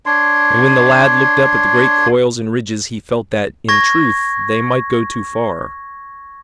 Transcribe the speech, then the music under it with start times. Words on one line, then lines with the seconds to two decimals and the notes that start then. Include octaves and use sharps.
And when the lad looked up at the great coils and ridges he felt that, in truth, they might go too far.
0.06 D4 C#5 C6
3.69 C#6 G#6 A#6